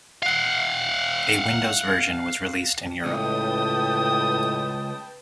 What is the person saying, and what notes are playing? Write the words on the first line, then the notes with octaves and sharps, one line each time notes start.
A Windows version was released in Europe.
F5 F#5
C#2 A2 B4 G5 A5 D#6